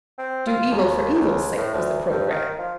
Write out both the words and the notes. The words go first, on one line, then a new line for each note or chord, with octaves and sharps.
Do evil for evil's sake was the programme.
C4
F4
D#2
C#2
A2
D2
G2
D#3
F3